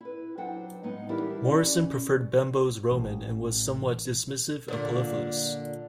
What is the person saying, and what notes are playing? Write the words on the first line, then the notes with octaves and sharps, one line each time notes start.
Morison preferred Bembo's roman and was somewhat dismissive of Poliphilus.
E4 B4
F#3 D4 C5 F#5 G5
A2 G#3 B3 D#4
E3 G3 D4 E4 G4 A#4
C#4 D5
A1
A#2 D3